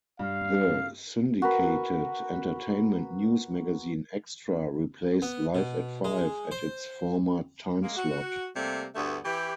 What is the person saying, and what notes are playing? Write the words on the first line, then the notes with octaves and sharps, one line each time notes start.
The syndicated entertainment news magazine "Extra" replaced "Live at Five" at its former timeslot.
G2 F5
F#4 A#4 B4
B3
B2
G#3
C5
G#3 A#3
F#4
C3 G3 A3 A#3
D2 G2 A3 B3
E3 G4